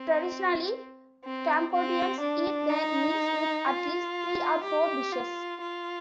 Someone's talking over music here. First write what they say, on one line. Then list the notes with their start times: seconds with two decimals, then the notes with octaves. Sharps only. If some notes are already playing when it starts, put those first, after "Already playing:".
Traditionally, Cambodians eat their meals with at least three or four dishes.
Already playing: C4
1.24 C4
1.73 C4
2.21 D4
2.70 D#4
3.67 F4
4.64 G4
5.12 F4
5.61 F4